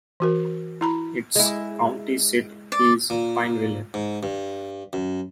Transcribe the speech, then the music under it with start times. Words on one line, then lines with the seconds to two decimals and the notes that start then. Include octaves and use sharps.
Its county seat is Pineville.
0.20 E3 F#4 A#4
0.81 E4 A#5 B5
1.36 G#3 E4
2.72 D5
3.10 A#2
3.94 G#2
4.23 G2
4.93 F#2